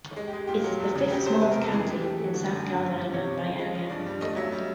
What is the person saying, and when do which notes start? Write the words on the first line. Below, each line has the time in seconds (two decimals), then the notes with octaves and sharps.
It is the fifth-smallest county in South Carolina by area.
0.16 G#3
0.27 G4
0.33 G#3
0.47 A#2 G4
0.64 F#3
0.80 E2
0.95 C#3
1.10 F#3 G4
1.26 E2 C5
1.41 C3 B4
1.51 A#4
1.57 E2 A4
1.72 E3 G#4
1.88 E3 G4
2.03 A3 G4
2.19 A3
2.24 F#4
2.34 D3
2.51 F#2
2.66 G2
2.81 G3
2.97 G3
3.13 C3 C#5
3.27 F3
3.43 C#3
3.59 G#3
3.75 F3
3.90 G2 D5
4.06 G3
4.21 A3 D#5
4.36 F#3 E5
4.52 G3